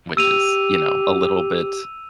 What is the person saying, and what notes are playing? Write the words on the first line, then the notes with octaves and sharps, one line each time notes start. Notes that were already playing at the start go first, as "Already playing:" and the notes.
which is, you know, a little bit,
G4 E6 D#7 F7